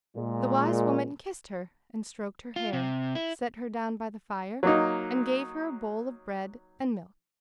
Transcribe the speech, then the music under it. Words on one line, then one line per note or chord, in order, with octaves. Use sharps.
The wise woman kissed her and stroked her hair, set her down by the fire, and gave her a bowl of bread and milk.
A#2 G#3
F4
C3
E4
F#3 A#3 D#4